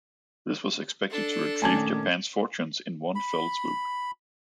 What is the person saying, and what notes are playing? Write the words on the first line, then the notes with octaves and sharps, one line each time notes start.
This was expected to retrieve Japan's fortunes in one fell swoop.
D4 A4
A#2 D#3 A3 C#4 G#5 A5 D6 G#6
B5